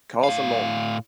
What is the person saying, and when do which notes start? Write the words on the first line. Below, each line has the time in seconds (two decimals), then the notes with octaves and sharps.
Cars are long.
0.24 A2 F5